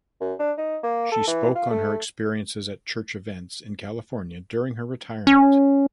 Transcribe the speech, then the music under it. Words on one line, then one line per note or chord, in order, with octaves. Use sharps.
She spoke on her experiences at church events in California during her retirement.
F#2
D4
D#4
A#3
A4
E3
F4
A3
C#4